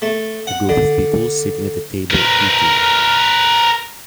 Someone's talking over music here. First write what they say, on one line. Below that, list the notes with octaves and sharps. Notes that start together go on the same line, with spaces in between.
A group of people sitting at a table eating.
A3
F#5
D3
A#4 B4